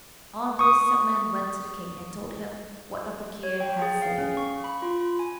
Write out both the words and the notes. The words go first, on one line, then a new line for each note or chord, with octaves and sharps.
On this some men went to the king and told him what the fakir had said.
C#6 D#6
C#5
G5
G#4
F5
C#4
C#6
B5
F4
G#5